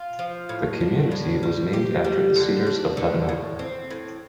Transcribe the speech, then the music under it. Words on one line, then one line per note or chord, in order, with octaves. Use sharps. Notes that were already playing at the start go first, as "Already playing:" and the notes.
The community was named after the Cedars of Lebanon.
Already playing: F4
F3
A2
D4
A2
G3
G4
G3
D3
D4
D3
A2
C4
A2